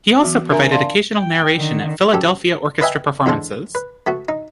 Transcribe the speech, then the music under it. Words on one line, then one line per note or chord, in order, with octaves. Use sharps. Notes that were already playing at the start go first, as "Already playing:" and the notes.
He also provided occasional narration at Philadelphia Orchestra performances.
E3 F#3 B3 F#4
D4 G#4 A#4 E5 G#5 A#5
D5 F5 A5 C6
G5
D3 D#3
F#2 G4 A4
B4 D#5 E5 G5 G#5
E2 D3 G#3 C5 A5
B4
A3 B3 F#4
D#4